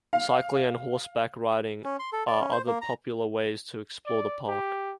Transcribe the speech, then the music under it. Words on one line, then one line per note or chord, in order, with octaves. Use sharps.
Cycling and horseback riding are other popular ways to explore the park.
F5
C#4
C6
A4
D5
C#4
C5
A#3
A#5
D5
G4